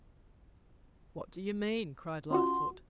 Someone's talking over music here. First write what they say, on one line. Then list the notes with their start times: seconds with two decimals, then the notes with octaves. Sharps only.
"What do you mean?" cried Lightfoot.
2.31 C#4 F4 F#4 C6